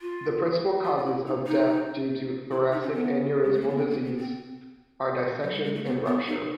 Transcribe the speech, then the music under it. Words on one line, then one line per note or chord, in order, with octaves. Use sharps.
The principal causes of death due to thoracic aneurysmal disease are dissection and rupture.
F4
F4
F4
E4
D#4
D#4
E4
D#4
C#4
B3
G#3
A3
A#3
B3
C4
A#3
B3
C4
F#3
G3
G#3
A3
B3
B3
D#4